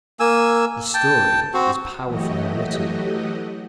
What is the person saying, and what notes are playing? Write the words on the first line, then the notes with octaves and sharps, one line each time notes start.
The story is powerfully written.
A#3 G#5 E6
G5 A5
C4 F#4
E3 F#3 A3 F#4 G4 D#5